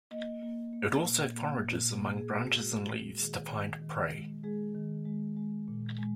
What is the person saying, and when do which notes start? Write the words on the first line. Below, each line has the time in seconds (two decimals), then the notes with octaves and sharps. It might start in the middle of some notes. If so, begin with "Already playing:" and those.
It also forages among branches and leaves to find prey.
0.11 A#3 D#5
0.43 A#3
0.73 A#3
1.03 A#2
1.34 A#3
1.65 A#2
1.96 A#3
2.17 G#4
2.27 A#3
2.37 F#4
2.59 G#3
2.89 G#3
3.20 D#3 G#4
3.51 D#3
3.82 D#3
4.13 G#3
4.44 G#3 G#4
4.75 D#3
5.05 G#3
5.37 G#3
5.68 A#2
5.98 G#3